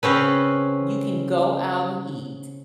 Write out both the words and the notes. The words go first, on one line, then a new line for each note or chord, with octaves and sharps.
you can go out and eat,
C#3 C4 C#4 B4